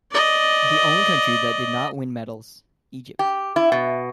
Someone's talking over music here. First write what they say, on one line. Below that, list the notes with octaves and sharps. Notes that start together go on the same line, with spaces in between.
The only country that did not win medals-Egypt.
D5 D#5
G4
E4
B2